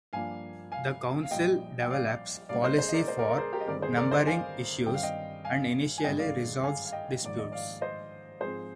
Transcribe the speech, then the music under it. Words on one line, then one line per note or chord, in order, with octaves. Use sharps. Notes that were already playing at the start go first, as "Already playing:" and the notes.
The council develops policy for numbering issues and initially resolves disputes.
G2 F3 A#3 D4 F5 G#5
F5 G#5
F5
A#1 A#2 G3 D#5 G5
G5
D5 F5
C2 A#2 G3 A#3 D4 D5 F5
C5 D#5
G#4 C5
D#5
A#4 D5
C5 D#5
A#4 D5
A#4 D5
G#4 C5
G4 A#4
D#5
G1 G2 D#3 G#3 C4 A#4 D5
G#4 C5
A#4 D5
C5 D#5
F5 G#5
G2 D#3 G3 C4 G5
F5
D#5 G5
F5 G#5
G#5
G#1 G2 D3 G#3 D#5 G5
D5 F5
F5 G#5
F5
D#5 G5
A#1 G#2 D#3 D5
D#5
D5 F5
C5 D#5
G#2 F3 C4 G#4 C5